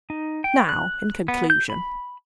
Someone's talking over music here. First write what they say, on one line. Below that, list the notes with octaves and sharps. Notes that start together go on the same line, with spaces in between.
Now in conclusion.
D#4
G5
F#6
B3
G6
B5